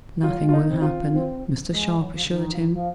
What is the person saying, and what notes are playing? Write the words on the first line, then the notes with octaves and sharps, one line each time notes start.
"Nothing will happen," Mr. Sharp assured him.
F#3 F4
G#3
F4
A#3 D#4
C4
F4
C#4
C4
G#3
F#3
F3
C#3
D#3
F3
D#3
F3